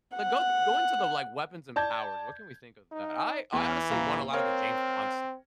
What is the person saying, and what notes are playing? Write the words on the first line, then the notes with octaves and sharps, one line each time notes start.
like, go go into the, like, weapons and powers. What can we think of that? I I honestly want a lot of the James Bond stuff,
F#5
D5 A5 G6 G#6
D#4
E2 E3
D#1 F5 A#5
C4 A#4 C#5 F5